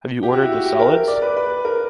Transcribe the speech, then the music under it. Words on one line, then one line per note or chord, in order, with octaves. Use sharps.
Have you ordered the solids?
G4
F#4
E4
F#4
G4
A#4
A#4
D5
B4
B4
A#4